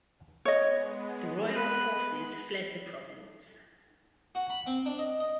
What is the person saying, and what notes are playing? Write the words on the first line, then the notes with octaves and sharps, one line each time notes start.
The royal forces fled the province.
G#3 B3 C#5 D#5
B4
F#4
B5
C4
D4
D#5
D#5